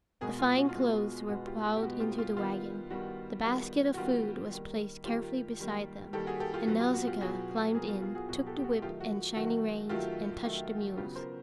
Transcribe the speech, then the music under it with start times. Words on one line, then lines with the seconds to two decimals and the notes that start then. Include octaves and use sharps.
The fine clothes were piled into the wagon, the basket of food was placed carefully beside them, and Nausicaa climbed in, took the whip and shining reins, and touched the mules.
0.21 B2 G#3 B3 G#4 A#4
0.39 F4
0.57 F#4
0.69 F4
0.75 B2 G#3 B3 F#4
1.29 B2 G#3 B3 F#4
1.47 F4 G4
1.65 F#4
1.76 G4
1.82 B2 G#3 B3 F#4
2.00 F4 G4
2.18 F4
2.37 D#3 G3 B3 F4
2.90 D#3 G3 B3 F#4
3.44 D#3 G3 B3
3.94 F#4
3.98 D#3 G3 B3 F4 G4
4.52 D#3 G3 A#3
5.05 D#3 G3 A#3 F4 G4
5.60 D#3 G3 A#3
6.13 D#3 G3 A#3 G4 A4
6.27 F#4 G#4
6.40 G4 A4
6.54 F4 G4
6.67 B2 F#3 B3 F#4
6.80 F4 G4
6.94 F#4
7.07 F4 G4
7.21 B2 F#3 B3 F#4 G#4
7.74 B2 F#3 B3 G#4 A#4
7.88 F4
8.02 F4
8.15 F#4 G#4
8.28 B2 F#3 B3 F#4 G#4
8.46 G4 A4
8.59 G4
8.64 F#4
8.82 D#3 F#3 A3 F4 G4
9.00 F#4
9.36 D#3 F#3 A3 F#4
9.89 D#3 F#3 A3 F4 G4
10.44 D#3 F#3 A3
10.97 C#3 F#3 B3 F4 G4
11.15 A#4 C5